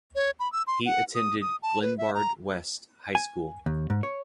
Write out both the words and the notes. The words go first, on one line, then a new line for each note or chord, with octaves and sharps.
He attended Glenbard West High School.
C#5
B5
E6
C6
F#5
D#6
D#6
A5
B4
E5
A#5
G#5
D#2
G#2
C#5